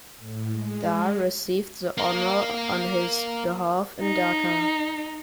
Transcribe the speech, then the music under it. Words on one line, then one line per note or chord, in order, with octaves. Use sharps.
Dhar received the honour on his behalf in Dhaka.
A2
G#3
A#3 A#4
D#4